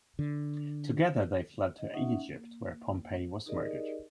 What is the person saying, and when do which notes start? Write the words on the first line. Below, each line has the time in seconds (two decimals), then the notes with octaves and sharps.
Together, they fled to Egypt where Pompey was murdered.
0.19 D3
1.79 D#5
1.93 C#4 D#4 E5 F#5
2.24 A#3
3.46 D#4 G4 G#4 A#4 D5 D#5